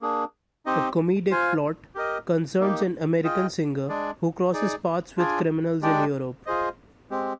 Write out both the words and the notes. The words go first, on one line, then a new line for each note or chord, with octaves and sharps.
The comedic plot concerns an American singer who crosses paths with criminals in Europe.
A#3 D4 G#4
C4 D#4 G4 C5 D#5
F4 C5 F5 G#5
G4 A#4 D#5
A#3 D#4 G4
F4 G#4 D#5 G5
G#3 D4 G#4 D5
D#4 G#4 D5
D4 F4 G#4 D5 G#5
G#3 D4 G4 D5 G5
F4 G#4 C5 D#5
G#3 C4 G4